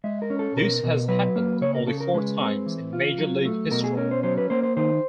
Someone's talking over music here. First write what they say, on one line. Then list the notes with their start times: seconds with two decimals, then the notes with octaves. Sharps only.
This has happened only four times in major-league history.
0.04 G#3 E5
0.22 A#4
0.30 C#4
0.39 A4
0.57 B2 A#4
0.83 B2
1.08 F#3 B4
1.36 A#3
1.61 C#3 C#5
1.75 A#4
1.87 C#3 A4
2.00 A#4
2.14 G#3 B4
2.40 C4
2.66 E3
2.93 F4
3.18 F#3
3.45 A3
3.71 B2 A#4
3.84 G#4
3.97 C#4 A#4
4.11 C5
4.23 F#3 C5
4.38 B4
4.50 A#3 C5
4.63 C5
4.77 D#3 C5